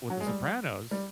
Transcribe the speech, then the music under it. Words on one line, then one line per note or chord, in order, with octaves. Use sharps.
With The Sopranos,
F#3
G#3
G3
G3